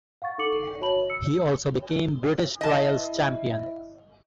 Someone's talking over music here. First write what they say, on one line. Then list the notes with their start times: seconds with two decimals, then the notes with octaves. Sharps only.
He also became British Trials Champion.
0.22 F5 F#5 C#6 A6
0.38 D#4 A4 C#6 D6 C#7 F#7
0.81 F#4 C#5 E5 A5 B5 F#7
1.10 E6 C#7
2.61 E4 D#5 A5